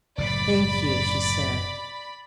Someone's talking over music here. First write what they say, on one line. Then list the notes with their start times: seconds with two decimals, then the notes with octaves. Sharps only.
"Thank you," she said.
0.18 F#1 A2 D5 B5